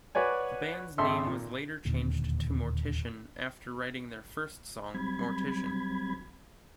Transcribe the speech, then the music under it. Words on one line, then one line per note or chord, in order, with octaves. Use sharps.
The band's name was later changed to Mortician after writing their first song, "Mortician".
F#4 B4 C#5 D5 G#5
G#1 D#4 A4 E5 C6
A#2
E1 D#2 A#2 D3
F#3 G3 C4 B5 G#6